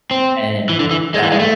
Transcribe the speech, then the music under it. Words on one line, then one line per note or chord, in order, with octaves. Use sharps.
And, that
C4
E3
D3
E3
G#3
E3
G#3
A3